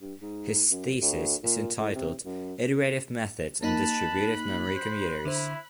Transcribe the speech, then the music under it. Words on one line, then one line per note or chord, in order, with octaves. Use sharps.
His thesis is entitled "Iterative Methods on Distributive Memory Computers".
G2
G#2
F#2
D2
A#2
A2
C3
F#2
A#3 D#4 A5 B5 F#6
C5
D3 E4 C5